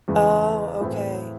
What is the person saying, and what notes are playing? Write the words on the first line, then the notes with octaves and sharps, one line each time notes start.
Oh, okay.
E2 C#3 E3
A2 E3 C4 E4 G#4